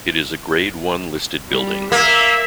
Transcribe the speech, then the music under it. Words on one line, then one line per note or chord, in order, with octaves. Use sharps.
It is a Grade One listed building.
G3
A#3 E5